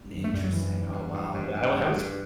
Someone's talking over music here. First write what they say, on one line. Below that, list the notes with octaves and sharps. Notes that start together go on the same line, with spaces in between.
Interesting. Oh wow. Yeah, I wi I wish
F#2
A3
F#2 G3
F#3
G2 E3
G2
G2
G2
G2
G2
G2
G2